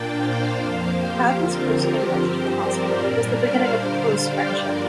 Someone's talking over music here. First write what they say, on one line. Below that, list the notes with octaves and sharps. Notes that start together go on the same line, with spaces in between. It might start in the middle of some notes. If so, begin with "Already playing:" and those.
Madden's post-game rush to the hospital was the beginning of a close friendship.
Already playing: A#2 A#3 D4 D5 G5
C5 F5
F2 F3 A#3
G4 C5
D3 F3 C4 F4 A#4
G4 C5
G2 F3 C4
A#4 D5
A#2 G3 A#3 D4 A#4 D5
C5 F5
D3 G3 D4 C5 F5
D5 G5
G2 F3 A#3 A#4 D5